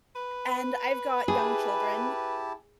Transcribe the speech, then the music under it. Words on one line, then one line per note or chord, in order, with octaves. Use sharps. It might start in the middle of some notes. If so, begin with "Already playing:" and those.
And I've got young children,
B4
E4 G4 G#4 A5